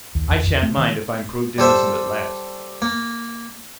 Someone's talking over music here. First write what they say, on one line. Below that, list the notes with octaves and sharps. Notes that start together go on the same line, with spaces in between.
"I shan't mind if I'm proved innocent at last."
D#2
E2
E2
A3
D#3
G3 A4 C5 E5
A#3